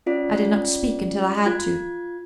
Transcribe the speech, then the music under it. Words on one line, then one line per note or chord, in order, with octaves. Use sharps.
I did not speak until I had to.
C#4 F4 D5
F4 G#6